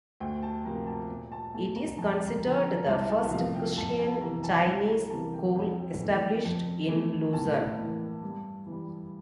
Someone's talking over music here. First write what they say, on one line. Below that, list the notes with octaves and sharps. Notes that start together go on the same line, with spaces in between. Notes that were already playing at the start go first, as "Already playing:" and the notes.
It is considered the first Christian Chinese school established in Luzon.
D2 G5
A5
C3 F3 A#3 A#5
A5
A#2
A5
A3 A5
A#5
F2 A5
A#5
D3 F3
A#5
C2 A5
A5
E5
C3 F3 A3 F5
G5
F2 A5
A5
C3 E3 A#5
A5
C2 A5
A#5
C3 E3 A#3 A5
G5
F2
E3 A3
F2
E3 A3
A2 A5
E3 A#3
G2
E3 G3